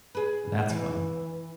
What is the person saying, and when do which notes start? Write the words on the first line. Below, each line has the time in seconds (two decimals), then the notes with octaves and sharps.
That's fun.
0.15 G#4 B4
0.70 E3